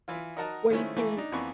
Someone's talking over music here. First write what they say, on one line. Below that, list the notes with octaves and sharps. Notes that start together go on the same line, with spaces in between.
where you can
E3 E4 F4
D#4 F#4 A#4 D#5 F#5 A5
D#3 F3 G#3 A3 C#4 E4
E3 A3 A#3 A4
D4 D#4
F2 E3 A#3 B3 C#6